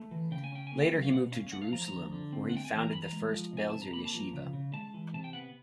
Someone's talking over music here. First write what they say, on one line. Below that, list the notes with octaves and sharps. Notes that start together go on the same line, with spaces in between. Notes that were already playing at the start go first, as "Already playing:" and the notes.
Later he moved to Jerusalem, where he founded the first Belzer yeshiva.
Already playing: A3
E3
C#3 G5
G#5
C#4 G5
A#3 G#5
G5
F#3
F5
B2 F#5
C#4 F5
A3 F#5
F5
F3 A#5
A#5
D3
D3
C4
F#5
A3 G5
G#5
E3 A5
A#5
E3 B5
A#5
G#3
F3
C3 G#5
C3 A5
A#5
A#3 B5
A5
F3 A#5
C#3
C#3
G#3 A5
E3
C3 A5
G5
B3 F#5